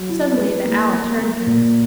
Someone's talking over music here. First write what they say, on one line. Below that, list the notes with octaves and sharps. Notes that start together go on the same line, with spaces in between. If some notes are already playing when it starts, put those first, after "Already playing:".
Suddenly the Owl turned to her.
Already playing: F#3
E4
B4
A#3
A#3
A#3
A#2